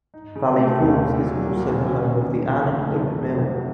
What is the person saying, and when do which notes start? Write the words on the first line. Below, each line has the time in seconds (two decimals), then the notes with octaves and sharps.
Valley Falls is also the home of the Ann and Hope Mill.
0.14 D#4
0.36 C#3
0.57 A3
0.79 D#2
1.01 A#2
1.23 F#3
1.45 A#3
1.68 A#2
1.90 C#4
2.11 D#3
2.34 A#3
2.55 F2
2.78 A3
3.00 D#3
3.21 F#3
3.45 C3